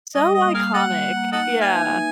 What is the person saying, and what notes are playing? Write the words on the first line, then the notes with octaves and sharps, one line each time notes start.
So iconic. Yeah.
G3 D#5
G3 D#5
A#3
G3 G#4 A#4 F5
A#3 A4 D#5 F#5
A#3
G3
A#3
D#4 A4 D#5 F#5
B4
E5 F5 G#5
D#4
D#4